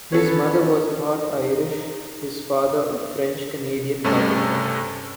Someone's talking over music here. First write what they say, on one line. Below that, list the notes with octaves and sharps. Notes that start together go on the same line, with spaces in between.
His mother was part Irish, his father a French Canadian carpenter.
B3 C#4 A4 B4 C#5
D#4
G2 C3 A3 C#4 A4